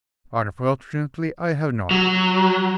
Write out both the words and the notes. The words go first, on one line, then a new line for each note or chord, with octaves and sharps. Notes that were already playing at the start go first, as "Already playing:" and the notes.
"Unfortunately, I have not."
F#3